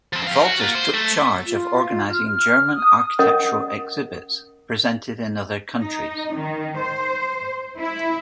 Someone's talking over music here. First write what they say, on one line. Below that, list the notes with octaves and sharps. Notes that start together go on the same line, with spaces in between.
Wolters took charge of organizing German architectural exhibits presented in other countries.
F3 C4
G4 F5
F#4
A#3 F4
C5
A3
F4
F6
D#6
C#4 A#4 D#5 F#5 D#6
D#4
D#3
C5
E4